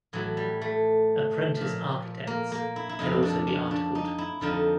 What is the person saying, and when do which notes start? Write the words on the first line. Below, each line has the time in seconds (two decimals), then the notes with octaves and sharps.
Apprentice architects can also be articled.
0.13 A2 E3 F#3
0.37 G3
0.62 A3
1.57 A#2 F3
2.27 A#3
2.52 A#3
2.76 E4
2.89 E4
2.99 F2 C3 F3 D#4
3.23 D4
3.47 C#4
3.71 D4
3.95 D#4
4.18 E4
4.41 F2 D3 F3 D#4